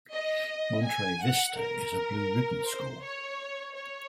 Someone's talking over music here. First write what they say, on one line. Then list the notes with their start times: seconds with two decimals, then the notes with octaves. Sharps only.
Monterey Vista is a Blue Ribbon School.
0.13 D#5
0.86 G#5
1.22 F#5
1.57 A#4
2.65 C5
3.03 C#5
3.75 C#5